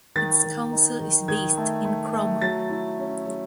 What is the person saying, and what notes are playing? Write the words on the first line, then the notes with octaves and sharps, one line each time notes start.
Its council is based in Cromer.
D#3 A6
D#3
D#4
D#3
D#3 G#6
A3
A3
A3
F#3 A6
E4
C#4
F#3